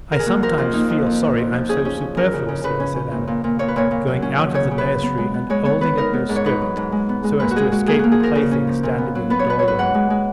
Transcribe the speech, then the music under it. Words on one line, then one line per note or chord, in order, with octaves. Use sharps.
"I sometimes feel sorry I'm so superfluous here," said Anna, going out of the nursery and holding up her skirt so as to escape the plaything standing in the doorway.
A#4
G#4
A#3 F#4
F3 A#4
F2 F4
A#3 D#4
F2
F3
F3
F3
F3
C#4 G#4
C#4
C#4
C#4 A#4
C#3
C#3
C#3 B4
C#4
C#4
A#2
A#2
A#2
A#2 C#5
B4
A#2 C#5
A#2
F#3
C#4
C#4
C#3 C#5
C#3
B4
C#3
B3
G#3
B3
G#3 C#5
B3 C#5
B3 B4
D#4 A#4
B3
G#2
C#5
D#4 B4
F#3
G#2
G#3
B3
G#3
A#2 B4
F#4
G#3 G#4
G#3 F#4
A#3 G#4
A#3 F#4
G#4
F3 A#4
C#3
C#4
F3
A#2
B3
F#3
B3 B4
C#5
B3 B4
F#3 C#5
B4
G#2 F#5
G#3
G#3